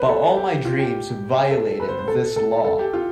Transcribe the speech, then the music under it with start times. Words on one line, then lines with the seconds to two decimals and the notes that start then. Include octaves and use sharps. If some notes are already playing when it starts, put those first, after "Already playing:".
But all my dreams violated this law.
Already playing: B4 C5
0.08 A4
0.37 G4
0.65 F4
0.79 G4
1.51 A4
1.80 B4
1.88 C5
1.99 C5
2.08 A4
2.36 A4
2.65 A4
2.79 G4
2.93 F4